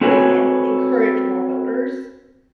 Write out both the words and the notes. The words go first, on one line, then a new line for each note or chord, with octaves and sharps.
thing and encourage more voters
C4 F#4 A4 B4 C#5 G#5